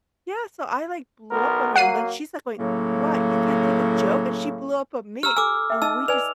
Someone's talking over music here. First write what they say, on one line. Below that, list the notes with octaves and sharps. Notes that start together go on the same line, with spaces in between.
Yeah, so I, like, blew up on her, and then she's like, going, "What? You can't take a joke?" And she blew up on me, and we just
B1 B3 A#4
F#3 A#3 F#5 C7 D#7
A2 C#3 F#3 A#3
G4 A#5 E6 F6
A4 G#5 D6 E6
E5 G5
D#4 D#5 A5 E6
B4 D5 G#5 F7